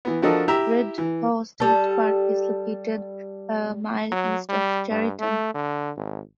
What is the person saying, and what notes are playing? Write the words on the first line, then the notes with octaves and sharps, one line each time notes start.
Red Haw State Park is located a mile east of Chariton.
E3 B3
F3 D4 F#4 A4 A#4 D#5
E4 G4 E5 A#5
E3
G3 A4
F#3
G3
G2
A3
D3
G#1